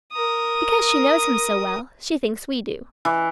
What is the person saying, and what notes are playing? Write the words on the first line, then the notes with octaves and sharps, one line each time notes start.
"Because she knows him so well, she thinks we do."
A#4 D#6
E3